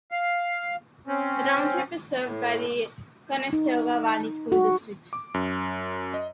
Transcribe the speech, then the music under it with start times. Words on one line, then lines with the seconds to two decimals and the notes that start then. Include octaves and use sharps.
The township is served by the Conestoga Valley School District.
0.11 F5
1.07 C4 C#4
2.24 A2
3.53 D#4
4.52 F#4
5.13 D6
5.34 F#2
6.14 D#5